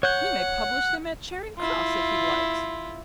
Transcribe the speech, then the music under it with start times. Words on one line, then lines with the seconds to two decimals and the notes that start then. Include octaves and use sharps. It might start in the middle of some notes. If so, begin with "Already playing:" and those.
"He may publish them at Charing Cross if he likes."
0.03 C#5 F#5 F#6 G6
1.59 E4 F4